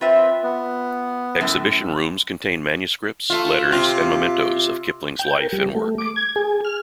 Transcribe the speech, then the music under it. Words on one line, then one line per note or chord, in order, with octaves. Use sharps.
Exhibition rooms contain manuscripts, letters, and mementoes of Kipling's life and work.
C4 F4 B4 E5
B3
F#2 A2
A3 F4
C3 F4
G5
A#4
G3
A3
D6
G#6
G#4
F6